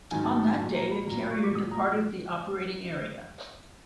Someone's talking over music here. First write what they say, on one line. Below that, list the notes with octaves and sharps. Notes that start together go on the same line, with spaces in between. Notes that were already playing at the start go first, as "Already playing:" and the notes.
On that day, the carrier departed the operating area.
G#2 D#3 F#3 G#5
A5
A5
G#5
A#2 F#3 A5
A#5
B5
A#2 F#3 A#5
B5
C#6
D6
A#2 F#3 D#6
A#5